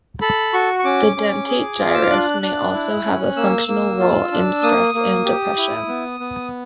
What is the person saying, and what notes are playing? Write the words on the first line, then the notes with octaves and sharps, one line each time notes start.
The dentate gyrus may also have a functional role in stress and depression.
A4 B5
F#4 C#6
C#6
C#4 D6
C#4
G#4
F4
E6
F6
D4 F#6
D4
E4
C#4
A#3 E6
A#3
F4
D4
A#3 D#6
A#3
G4
E4
B3
B3